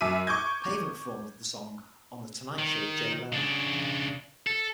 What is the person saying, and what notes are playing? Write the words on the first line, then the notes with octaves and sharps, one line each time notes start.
Pavement performed the song on "The Tonight Show with Jay Leno".
F#2 E5 D6 D#7
C#6 D6 G6 G#6
D#3
C#3 D4
A4